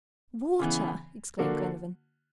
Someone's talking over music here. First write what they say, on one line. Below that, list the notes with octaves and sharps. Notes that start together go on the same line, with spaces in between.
"Water!" exclaimed Glenarvan.
C#3 E3 B3
D3 A#3 D4 F#4